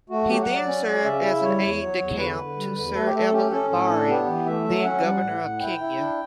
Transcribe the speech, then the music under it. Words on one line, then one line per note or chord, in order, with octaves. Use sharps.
He then served as an "aide-de-camp" to Sir Evelyn Baring, then Governor of Kenya.
A3 F#4
F#3 G4
F#5
F#3
D5
C#4
C#4
C#3 E5
E4
G3 C#5
E2
F#3
E2
D3 B4
D3
G3
E2
A3 A4
G4
A3 A4
C#4 G4
C#4 A4
A2 A4
D4
B3 G4
E3
A3 E5
F#3
C#4 F#5
G3
A2
A2
E4 G5
E4
D4